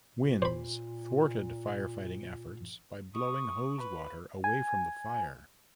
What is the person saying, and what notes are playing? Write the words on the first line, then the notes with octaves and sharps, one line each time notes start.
Winds thwarted firefighting efforts by blowing hose water away from the fire.
A#2
C5 B5
C#6 D#6
B4
G#5